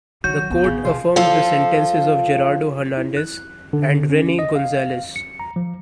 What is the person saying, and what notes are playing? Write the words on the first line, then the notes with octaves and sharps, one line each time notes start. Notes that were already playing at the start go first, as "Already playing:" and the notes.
The court affirmed the sentences of Gerardo Hernandez and Rene Gonzalez.
D#3 F#3 F#4 G6
D2 B3
A#1 C#3 D#4
C#3 F3 F4
F3 F4 A4
E4
F#6
D3
C#4
D#5
F5
C#7
A#5
F3